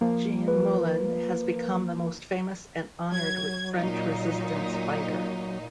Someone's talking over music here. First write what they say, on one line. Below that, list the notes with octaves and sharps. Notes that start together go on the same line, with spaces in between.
Jean Moulin has become the most famous and honored French Resistance fighter.
F3 A#3
B4
F#3 G#6
A#2 D#4